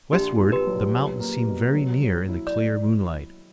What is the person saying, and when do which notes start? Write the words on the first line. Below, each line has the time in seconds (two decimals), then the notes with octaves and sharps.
Westward, the mountains seemed very near in the clear moonlight.
0.12 A#1 G4
0.40 A#2
0.52 G4 B4
0.67 F#3
0.93 C#4
1.20 A#3
1.47 B2
1.74 F#3
2.02 F#3
2.29 E4
2.47 D5